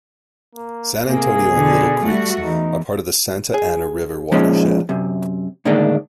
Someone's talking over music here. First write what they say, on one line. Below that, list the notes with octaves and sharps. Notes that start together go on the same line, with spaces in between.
San Antonio and Lytle Creeks are part of the Santa Ana River watershed.
A#3
C3 A#3 G#4
B2 D3
G3 A3 F#4
E2 D#4
G#4
A#2 F3 G#3 C#4 D#4
F#2 C3
A2 D3 D#3 G#3 A#3 D4